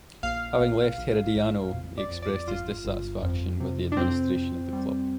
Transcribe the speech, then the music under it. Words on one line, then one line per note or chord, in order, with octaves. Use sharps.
Having left Herediano, he expressed his dissatisfaction with the administration of the club.
A#1 F5
A#1
A#1
A#1
F2
D5
F2
D5
G1 F4
G1
F2
C3
D4
F2 C4
F2
G3